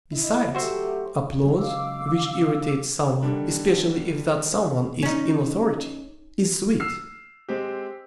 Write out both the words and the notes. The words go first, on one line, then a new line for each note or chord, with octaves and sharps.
Besides, applause which irritates some one, especially if that some one is in authority, is sweet.
E4 D#5
F#3 A3 F#4 G4 C5 E5
C#3 F#3 G#3
F5 D6 E6
D3 D#3 G3 D4
C#4 D#4
E6 F6 C7
G#3 C4 G4